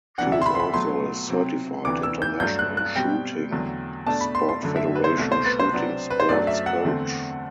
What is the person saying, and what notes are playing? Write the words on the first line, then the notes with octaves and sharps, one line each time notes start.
She is also a certified International Shooting Sport Federation shooting sports coach.
D2 C3 E3 B3 D4 F#5
E5
C6
B5
C6
B5
B2 F#3 A3 C6
C3 F#3 C4
D2 C3 E3 B3 D4 D6
E6
G6
G2 F#3 A3 D4 G6
F#6
F#6
B2 G3 C4 G5
E2 D3 F#3 A3
B2 A3 D4 A5
B5
C6
C6
F#2 D3 A3 D4
E5
B4
C5
C2 B2 A3
C5
B4
C5
C3 F#3 B3 D4
B4
C5
F#2 F#3 A3 D4 D5
E5
F#5
E2 D3 A3 C4